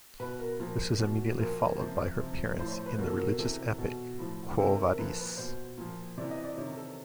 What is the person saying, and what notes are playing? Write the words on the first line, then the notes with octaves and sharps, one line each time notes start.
This was immediately followed by her appearance in the religious epic Quo Vadis?
B2 B4
A#4
A#2 F3 A#4
B2
A#2 F3 A#4
A#4
C3 F3 C5
C3 F3
A2 F3 C5
C#5
C5
B4
B2 A#4
A4
A#4
C3 E3 A4
B2
A2 F3
C3 D#3 A4
A#4
A#4
A#2 F3 B4
B4
B2 C5
A#2 F3
C3 E3 D5
D#5
D5
C3 D#3 C#5
A4